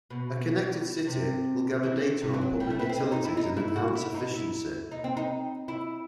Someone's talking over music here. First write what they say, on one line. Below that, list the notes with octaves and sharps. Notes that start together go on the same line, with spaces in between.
A connected city will gather data on public utilities and enhance efficiency.
B2
C3
E3
D#3
C3
E3
F#3
G3
A3
B3
C4
D#4
D#4
E4
D#4
E4
F#4
E4
D#4
E4
D#4
C4
D#4
E4